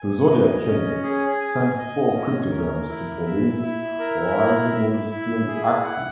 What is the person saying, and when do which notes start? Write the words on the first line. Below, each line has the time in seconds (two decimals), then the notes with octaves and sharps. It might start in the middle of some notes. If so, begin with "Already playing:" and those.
The Zodiac Killer sent four cryptograms to police while he was still active.
Already playing: G#5
0.30 D#5
0.66 C#4
1.03 G#4
1.40 G#5
1.78 D#5
2.14 C#4
2.51 A#4
2.88 E4
3.26 E5
3.62 E4
3.99 A#4
4.36 E4
4.73 E5
5.10 E4
5.47 G#4
5.83 F#5